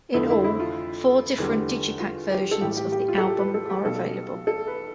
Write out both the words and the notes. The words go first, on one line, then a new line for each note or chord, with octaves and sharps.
In all, four different digipak versions of the album are available.
F2 D3 A3 E4
E4
E4
F4
E2 D3 G3
F4
G4
A4
A1 A2 G3 G4
G4
G4
F4
A4
G4
B4
A4
G4
B1 B2 G3 A4
A4
B4